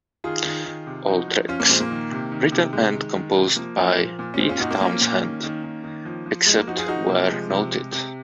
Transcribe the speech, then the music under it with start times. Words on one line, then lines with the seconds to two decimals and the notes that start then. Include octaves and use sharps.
All tracks written and composed by Pete Townshend, except where noted.
0.24 D#3 F4 G#4
0.45 D#3
0.66 D#3
0.87 C3
1.07 F3 D#4 F#4
1.28 F3
1.48 F3 C#4 F4
1.60 A#3 C#4
1.69 A#2 G#3 C4
1.80 A#3
1.90 D#3
2.12 C3
2.32 D#3
2.52 C3
2.73 C3 G#3
2.94 D#3
3.15 D#3
3.36 C3
3.56 F3 A#3
3.77 F3
3.98 A#2
4.19 A#2
4.34 C#4
4.39 A#2 G#3 C4
4.49 C#4 F4
4.59 A#2 D#4 F#4
4.71 A#3
4.81 F3 A#3 C#4
5.01 A#2
5.22 D#3
5.43 D#3
5.64 D#3
5.84 D#3
6.05 F3
6.26 F3
6.46 F3 G#3
6.58 A#3
6.67 F3 D#4 F#4
6.77 F4 G#4
6.88 F3 D#4 F#4
7.08 C3 A#3
7.29 F3 G#3
7.50 C3
7.71 C3
7.92 C3